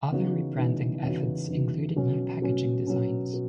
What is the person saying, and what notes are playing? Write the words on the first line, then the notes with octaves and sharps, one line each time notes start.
Other rebranding efforts included new packaging designs.
C#3 E3 B3 D#4 F#4
C#3 E3 B3 D#4 F#4
C#3 E3 B3 D#4 F#4
C#3 E3 B3 D#4 F#4
B2 F#3 C#4
B2 F#3 C#4
B2 F#3 C#4
B2